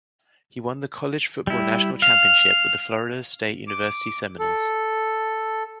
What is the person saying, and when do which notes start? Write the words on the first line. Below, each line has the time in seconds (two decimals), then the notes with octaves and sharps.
He won the College Football National Championship with the Florida State University Seminoles.
1.47 G3 E4
2.02 F5 F7
3.68 D6
4.39 A4